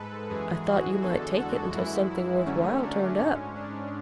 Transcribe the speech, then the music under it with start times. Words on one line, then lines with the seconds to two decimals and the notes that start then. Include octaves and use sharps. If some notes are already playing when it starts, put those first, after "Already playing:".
"I thought you might take it until something worth while turned up."
Already playing: G#2 G#3 A4 B4
0.29 F#2 E3 G#3 G#4
0.65 F#4
1.01 E2 D3 G#3 A4
1.38 F#4
1.74 F#2 E3 G#3 E4
2.10 E4
2.46 F#2 D3 F#3 A3 C#4
2.82 D4
3.18 G#2 G#3 C#4
3.55 D4